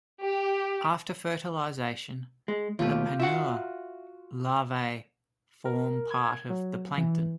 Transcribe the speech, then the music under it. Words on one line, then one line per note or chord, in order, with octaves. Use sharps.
After fertilisation, the planula larvae form part of the plankton.
G4
G#3
D#2 B2 A3 F4 G4 B4
F4 F#4 E5 F#5
A#4
G#6
F#3
E3